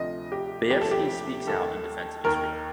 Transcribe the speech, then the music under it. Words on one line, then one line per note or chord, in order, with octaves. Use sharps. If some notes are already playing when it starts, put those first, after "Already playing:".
Bayefsky speaks out in defense of Israel.
Already playing: D2 C3 F3 D#5
G4
D2 C3 F3 G4
A4
G4
D#2 D#3 A4
D#2 D#3 A#4